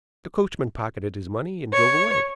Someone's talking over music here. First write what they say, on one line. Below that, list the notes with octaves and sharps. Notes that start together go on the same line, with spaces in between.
The coachman pocketed his money and drove away.
C#5